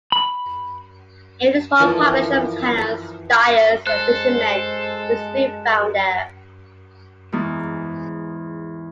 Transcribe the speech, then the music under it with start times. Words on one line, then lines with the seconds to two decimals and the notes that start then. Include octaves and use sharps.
Even the small population of tanners, dyers and fishermen is to be found there.
0.12 B5
1.80 E3 F3 A#3 A4
3.87 G#3 A4 C5 F#6
7.32 E2 G#2